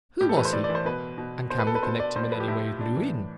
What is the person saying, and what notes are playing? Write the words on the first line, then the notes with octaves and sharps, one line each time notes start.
Who was he? and can we connect him in any way with New Inn?
A2 G4
A4
E3 B4
C5
A2 D5
D5
E3
C5
B2 B4
B2
B2 C5
B4
A4
B4
B2 C5
D5
A2 C5
D5
F3 B4
G4
A2 E4
F3
A2 D4
E3
A2